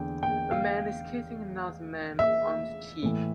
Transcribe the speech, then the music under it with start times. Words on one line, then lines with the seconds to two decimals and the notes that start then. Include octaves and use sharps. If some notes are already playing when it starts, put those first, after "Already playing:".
A man is kissing another man on the cheek.
Already playing: E2 D3 G5
0.23 G5
0.51 F5
2.19 E5
3.03 A2 E3